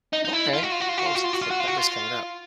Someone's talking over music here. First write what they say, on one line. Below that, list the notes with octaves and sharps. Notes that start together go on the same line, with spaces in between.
Okay. Oh, Sep September's coming up.
D#4
D#4
E4
F4
F#4
F4
F#4
F4
F#4
F4
F#4
F4
F#4
F4
F#4
F4
F#4
F4